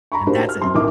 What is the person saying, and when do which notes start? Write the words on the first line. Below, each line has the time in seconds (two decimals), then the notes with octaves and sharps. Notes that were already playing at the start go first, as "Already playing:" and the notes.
and that's it.
0.12 A#5 B5 C#6
0.27 A#3 D4 D#4 F#4 G4 C5
0.49 F6
0.61 F#2 C4 C6
0.75 B1 A2 A#4 D6